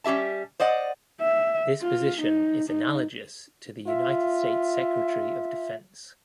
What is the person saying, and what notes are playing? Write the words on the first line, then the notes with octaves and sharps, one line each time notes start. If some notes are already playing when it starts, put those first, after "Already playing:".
This position is analogous to the United States secretary of defense.
G3 C#4 G4 E5 A5
C5 D5 D#5 F#5
E5
F4
D#4
D#4
F4 E5